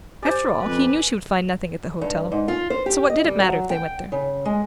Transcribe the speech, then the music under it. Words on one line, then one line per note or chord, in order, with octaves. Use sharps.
After all, he knew she would find nothing at the hotel--so what did it matter if they went there?
G4 C5 D5 G#5
F2 B4
G2
G#2
F4
C5
G4
D#5
G3
F#3
G5
C#3
G#3